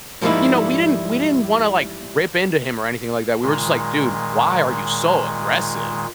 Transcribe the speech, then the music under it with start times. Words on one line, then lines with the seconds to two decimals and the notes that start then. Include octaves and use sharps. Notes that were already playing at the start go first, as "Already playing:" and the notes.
you know, we didn't we didn't wanna, like, rip into him or anything like that, we were just like, "Dude, why are you so aggressive?
0.21 G#2 F3 G3 A#3 D#4 E4
3.42 A#2 D#3 G#3